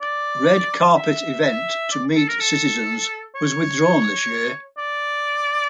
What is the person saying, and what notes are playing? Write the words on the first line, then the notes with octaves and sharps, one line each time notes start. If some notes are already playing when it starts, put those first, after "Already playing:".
Red carpet event to meet citizens was withdrawn this year.
D5
E5
E5
D5
A4
A#4
A4
C#5
D5